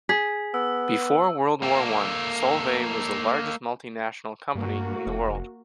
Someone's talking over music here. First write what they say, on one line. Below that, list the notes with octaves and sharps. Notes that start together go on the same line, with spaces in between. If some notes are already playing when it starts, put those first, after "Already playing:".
Before World War One, Solvay was the largest multinational company in the world.
G#4 B6
B3 E6
A#3 A4
G2 A#3 F#4
F1